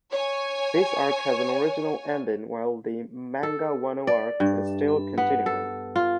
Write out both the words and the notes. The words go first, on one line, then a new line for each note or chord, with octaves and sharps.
This arc has an original ending while the manga Wano arc is still continuing.
C#5 G#5
A4
D5
G2
B3
A4
F4